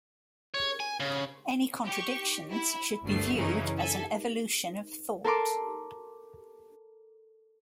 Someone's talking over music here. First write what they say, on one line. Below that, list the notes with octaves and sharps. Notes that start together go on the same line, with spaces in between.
Any contradictions should be viewed as an evolution of thought.
C#5
G#5
C#3
G4 C#6
E4
G1 D2 G3 A3 C7
F#2 C#3 E3 C#4 D#4
A4 E5 G#5
A4 A#4 A5 C6 D6